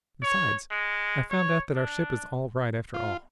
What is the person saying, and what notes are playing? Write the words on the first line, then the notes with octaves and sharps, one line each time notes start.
Besides I've found out that our ship is all right, after all.
C#5
G#3
C#5
D4
F4